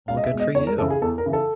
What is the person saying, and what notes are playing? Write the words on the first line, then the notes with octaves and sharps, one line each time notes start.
Well, good for you.
C#2 F5
D#5
E5
B2 G#3
D#5
E2 C#5
A#4
C#3 E3 A4
G#4
E2 A4
A#4
C#3 E3
A4